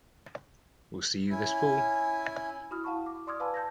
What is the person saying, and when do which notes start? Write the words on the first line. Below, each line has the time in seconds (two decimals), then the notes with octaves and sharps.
We'll see you this Fall!
1.30 C#4 E4 G#5
2.71 E4 F#4 B5 D#6 F6
2.84 E4 F5 F#5 A5 B5 C#6
3.06 D6
3.27 D5 C6 D6 D#6 F6 G#6
3.40 B4 F5 G#5 A5 B5 E6
3.54 A5 G6 G#6 A#6